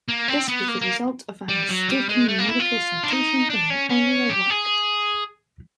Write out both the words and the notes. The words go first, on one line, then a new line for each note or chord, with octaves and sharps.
This was the result of a mistaken numerical citation in an earlier work.
A#3
C4
B3
A#3
A#3
G3
F#3
G3
G#3
A3
A#3
E4
F4
D4
D#4
D4
C#4
C#4
G4
G#4